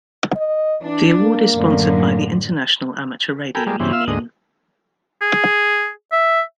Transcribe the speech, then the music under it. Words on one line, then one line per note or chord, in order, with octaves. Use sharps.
The award is sponsored by the International Amateur Radio Union.
D#5
E3 D4
A#3
F#2 A2 D3
A4 A#4 G5 G#5 B5
G3 G#3 A#3
G2 C#3 E3 C4
F4 E5 F5 E6
D2 G#2 D#5
G#4
E5